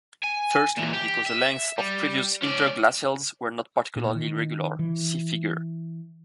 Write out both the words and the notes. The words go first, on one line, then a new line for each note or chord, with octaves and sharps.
Firstly, because the lengths of previous interglacials were not particularly regular; see figure.
G#5
A#2 E3
G4
E5
G3
C#4 D5
A#2
D#3
E3